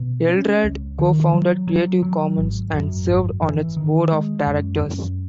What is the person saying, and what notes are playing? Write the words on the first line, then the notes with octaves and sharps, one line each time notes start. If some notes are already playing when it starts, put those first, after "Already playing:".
Eldred co-founded Creative Commons and served on its board of directors.
Already playing: B2
C#4
C#2
D#3
F#3
F#3
F#3
G#1
F#2
G#1
E3
D#3
G#3
F#2
F#2